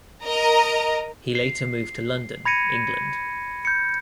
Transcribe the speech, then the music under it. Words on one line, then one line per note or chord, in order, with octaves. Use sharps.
He later moved to London, England.
A#4 D#5 A#5
C7
B5 G#6 A#6 C#7 D#7
G6 C#7